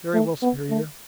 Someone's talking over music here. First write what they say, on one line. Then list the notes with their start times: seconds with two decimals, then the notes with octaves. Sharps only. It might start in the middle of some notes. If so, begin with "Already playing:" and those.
"Very well, Superior."
0.14 A3
0.42 B3
0.70 A3